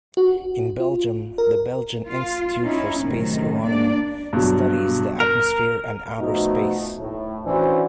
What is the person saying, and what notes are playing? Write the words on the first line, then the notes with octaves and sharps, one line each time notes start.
In Belgium, the Belgian Institute for Space Aeronomy studies the atmosphere and outer space.
F#4
F4
A#4
F4
C#4 D#4 E4
F#2 A2 C3 D#3
A#3 D4 D5
G2 B2 F#3
A#4
B2 F3 A3 D#4
A2
E3 C#4 D4 F#4 C5